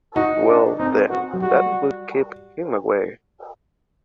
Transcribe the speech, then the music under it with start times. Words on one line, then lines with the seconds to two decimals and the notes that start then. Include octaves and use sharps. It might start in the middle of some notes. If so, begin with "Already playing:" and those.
Well! Then, that will keep him away.
0.15 D#4 F#4
0.48 D4
0.79 C4 D#4
1.10 F#4
1.33 F#3
1.42 G3 F#4